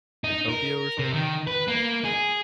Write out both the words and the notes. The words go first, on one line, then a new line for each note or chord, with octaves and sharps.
in Tokyo or something?
D#4
A#4
C3
D#3
B4
A#3
G#4